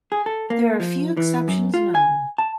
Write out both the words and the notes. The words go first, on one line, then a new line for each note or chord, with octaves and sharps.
There are a few exceptions known.
G#4
A4
A#3
F3
E3
F#2
F4
G#5
A5